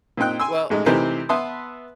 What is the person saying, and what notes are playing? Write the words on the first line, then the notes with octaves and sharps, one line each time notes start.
Well and
A#2 C4 D#4 G5 F#6
G#5 C6 E6
A1 G#3 D#4
C3 E3 A3 C4 D#4 A#4
B3 B4 E5 A5 C6 D#6